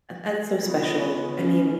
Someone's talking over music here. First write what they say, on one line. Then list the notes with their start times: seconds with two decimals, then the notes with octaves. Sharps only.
Uh, that's so special. I mean
0.63 C#3 G#3 B3 F4
1.38 C#4